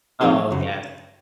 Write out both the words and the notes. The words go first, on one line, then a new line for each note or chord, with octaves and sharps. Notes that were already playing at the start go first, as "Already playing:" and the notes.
Oh, yes.
F3 C4 D#4 G#4 C5
F#2 C#3 F#3